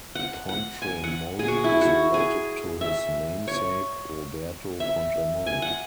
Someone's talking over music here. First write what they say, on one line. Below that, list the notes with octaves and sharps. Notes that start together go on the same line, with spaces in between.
Pontremoli is related to his namesake Roberto Pontremoli.
F#5
F#5
G#5
F#5
G#4
F#4
E4
F#4
G#4
E5
C#5
E5
G#5
F#5